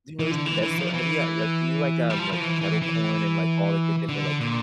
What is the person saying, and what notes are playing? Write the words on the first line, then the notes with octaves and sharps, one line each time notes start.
do you know what's the best, though? Have you, uh, like do you like, um, like, kettle corn and, like, all, like, the different, like,
E3
D3
E3
E3
F3
E3
G3
F3
F3
E3
E3
E3
D3
A#2